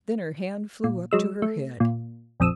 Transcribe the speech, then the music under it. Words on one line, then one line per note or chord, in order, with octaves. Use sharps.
Then her hand flew up to her head.
A#2
F#3 G#3 E6
A3
A#2
A#1 F2 D#6 E6